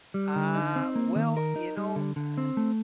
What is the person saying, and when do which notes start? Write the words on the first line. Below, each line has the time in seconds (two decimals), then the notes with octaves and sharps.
Uh, well, you know, eh
0.14 G3
0.36 D3
0.55 D#4
0.76 C4
0.96 A#3
1.16 D#3
1.37 A#4
1.56 D#4
1.77 G3
1.96 D3
2.16 D3
2.37 C4
2.57 A3